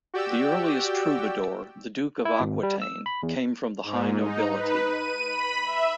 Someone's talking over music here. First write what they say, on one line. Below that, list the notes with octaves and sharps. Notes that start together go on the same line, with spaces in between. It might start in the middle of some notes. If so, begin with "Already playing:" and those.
The earliest troubadour, the Duke of Aquitaine, came from the high nobility.
F#4 G4 D5 G5 E6
E4
G#1
G3
E6
B5
E2
G#2
D#4
B4
D#7
B5
E5